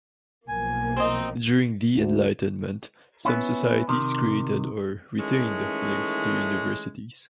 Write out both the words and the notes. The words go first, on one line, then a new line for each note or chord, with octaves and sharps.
During the Enlightenment, some societies created or retained links to universities.
B1 F3 A#3 G#5
C4 D#4
D2
B3 C#4 E4
C3 D#3
D#3 E3 G#3 A3 C#4